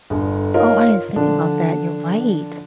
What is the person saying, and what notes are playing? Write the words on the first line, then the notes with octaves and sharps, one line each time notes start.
Oh, I didn't think about that. You're right.
G1 D3
D#4 F4 A#4 C#5 D#5
D3 F3 D4